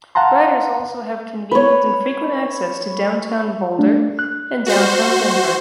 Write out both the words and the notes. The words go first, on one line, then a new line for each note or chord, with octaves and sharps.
Riders also have convenient and frequent access to downtown Boulder and downtown Denver.
F5 F#5 A5 A#5 C6
B4 C#5
A3 D4
F#6
F#4 C5